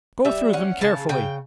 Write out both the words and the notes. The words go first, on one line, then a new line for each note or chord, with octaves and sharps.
Go through them carefully.
G3 E5
C#4 F#5
C#3 A5
C#3 G5